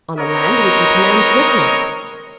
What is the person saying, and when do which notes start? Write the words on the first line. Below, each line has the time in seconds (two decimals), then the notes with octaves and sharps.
On the land we can command swiftness.
0.17 C4 D#4 A#4 B4 C#5 D#5